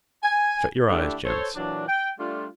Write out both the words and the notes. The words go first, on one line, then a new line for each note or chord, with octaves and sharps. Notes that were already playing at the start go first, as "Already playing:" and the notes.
Shut your eyes, gents.
G#5
D3 A3 D4 E4 G4 A4
A4 C5 C#5
A#2 E3 F#3 D4
G5
G3 A3 D4 F4